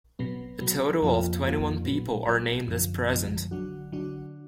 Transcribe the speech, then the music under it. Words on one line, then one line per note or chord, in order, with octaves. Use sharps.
A total of twenty-one people are named as present.
B2 F#3 B3
B2 F#3 B3
F2 F3 A#3 F4
F2 F3 A#3 F4
A#2 F#3 B3
A#2 F#3 B3
F#2 D3 F3
F#2 D3 F3
D3 F#3 D4 F#4
D3 F#3 D4 F#4